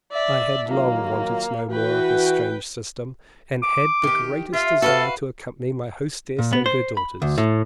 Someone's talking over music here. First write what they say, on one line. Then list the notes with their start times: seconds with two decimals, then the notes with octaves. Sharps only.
I had long wanted to know more of this strange system, and had the greatest desire to accompany my hostess and her daughters.
0.12 D5 E5
0.69 D#3 F#3 A#3 F4
1.71 E3 F#4 B4 G5
3.63 D6
4.03 D#3 G4
4.53 F4 E5
4.82 F#4 A4 B4 F5
6.39 A#2
6.53 B3
6.66 C5
6.97 B5
7.22 D2
7.38 A2